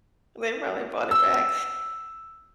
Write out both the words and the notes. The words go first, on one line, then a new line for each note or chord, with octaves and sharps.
they probably brought it back.
E6